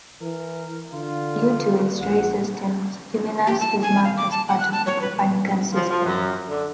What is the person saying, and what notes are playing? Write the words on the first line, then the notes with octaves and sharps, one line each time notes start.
Due to its ray system, Stevinus is mapped as part of the Copernican System.
E3 A#4
D3 F4
A#1 F#5
G4
A5
G#5
F5
D6
A5
F#5
F#6
A5
C#5
B4
F3
F3
F#2
D3